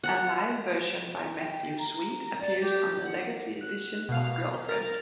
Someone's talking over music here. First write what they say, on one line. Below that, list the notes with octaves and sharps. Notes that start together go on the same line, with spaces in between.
A live version by Matthew Sweet appears on the Legacy edition of Girlfriend.
F#5
G5
A#5
D5
G4
F#5
F#6
B2 F5
A#4 A6